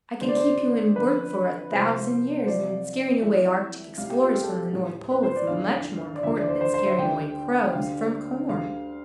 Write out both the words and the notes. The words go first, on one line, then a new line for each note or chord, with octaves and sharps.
I can keep you in work for a thousand years, and scaring away Arctic Explorers from the North Pole is much more important than scaring away crows from corn.
E2 D3 G3 C5
D5
C5
F2 D3 F3 B4
C2 C3 F3 C5
C5
F2 C3 F3 D5
F2 E3 G3 E5
C2 C3 G3 F5
G4
F4
G4
A4
G4
A2 E3 G3
B4
C5
D5
E2 D3 F3 F5
D5
D2 D3 F3 E5
D5
C5
C5
C5
E5
D2 D3 G3 G5
D2 D3 G3 F5
D2 D3 G3 F5